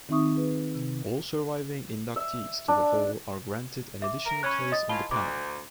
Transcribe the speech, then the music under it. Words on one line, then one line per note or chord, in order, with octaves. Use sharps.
All surviving inductees to the Hall are granted an additional place on the panel.
D#3 C4 D#4 E5 C#6 D#6
G#4 B4
C3
E5
D4
E5 D6
A#4
C#4 B5 C#6 F#6
D#5 D#6 A6
E3 C#4 F4 A5 B5 G7
D2 D6